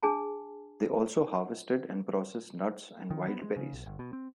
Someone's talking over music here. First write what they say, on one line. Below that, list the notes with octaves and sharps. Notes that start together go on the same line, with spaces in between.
They also harvested and processed nuts and wild berries.
D4 G#4 G#5 A5
D#3
B3
G#3
C#3
B1
G1
B2
C4